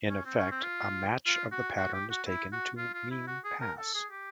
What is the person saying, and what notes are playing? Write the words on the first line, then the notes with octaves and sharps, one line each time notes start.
In effect, a match of the pattern is taken to mean pass.
C#4
C4
C#4
C4
F4
F4
F#4
F#4
G4
F#4
E4
F#4
F4
F4
E4
F#4
G#4
A#4
A4
G#4
G4